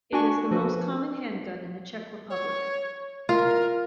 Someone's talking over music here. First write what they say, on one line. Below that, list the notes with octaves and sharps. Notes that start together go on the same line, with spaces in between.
It is the most common handgun in the Czech Republic.
D4 F#4 G#5 C#6
F3 F#4 A4 B4
C#5
F4 A#4